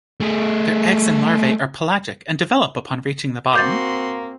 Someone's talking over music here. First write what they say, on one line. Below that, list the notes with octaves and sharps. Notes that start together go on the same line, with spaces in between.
Their eggs and larvae are pelagic and develop upon reaching the bottom.
A3 G#4
A#3 C4 F#4 C6 D6 G6 A6